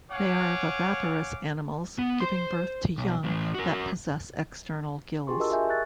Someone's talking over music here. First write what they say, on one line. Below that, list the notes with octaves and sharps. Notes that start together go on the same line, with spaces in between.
They are viviparous animals, giving birth to young that possess external gills.
C#5 F5 F#5 G#5 D6
B3
C5 C6
B1
A2 E3
F#4 A#4
D4 F4 G4 G#4 C6 C#6
F#4 G4 A#4 D#5 A5 E6
G#4 A#4 E5 G#5 G6
C#6 F#6 A6